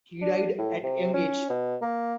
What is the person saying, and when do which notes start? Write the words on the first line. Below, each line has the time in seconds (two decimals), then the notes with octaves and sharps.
He died at young age.
0.22 D4
0.58 A2
0.83 C3
1.14 C#4
1.50 B2
1.82 A#3